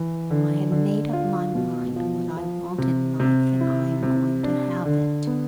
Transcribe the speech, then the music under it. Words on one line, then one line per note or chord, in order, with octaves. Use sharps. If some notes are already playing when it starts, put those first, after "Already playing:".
I have made up my mind what I want in life and I am going to have it.
Already playing: E3
D3
D3
F4
B2
F3
F3
C3
C3
E4
C3
D4
D3
B3